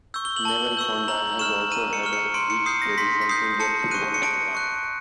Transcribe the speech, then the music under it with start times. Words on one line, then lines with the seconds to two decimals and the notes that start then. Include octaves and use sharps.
Newell-Fonda has also had a rich tradition in their football program.
0.14 C#6 E6 G6
0.25 G7
0.36 F#7
0.45 A5 G7
0.77 C#6 E6 G6
1.08 A#5 F#7
1.39 C#6 F6 E7
1.72 A#5 D#7
1.93 C#7
2.03 C#6 F6
2.13 C#7
2.34 C6 D7
2.50 C#7
2.66 D#6 G6 C7
2.82 A#6
2.98 C6 B6
3.21 B6
3.29 D#6 G6 C7
3.60 A5 C#7
3.91 C#6 F#6 D#7
4.14 C#7
4.23 A5 D7
4.55 C#6 F#6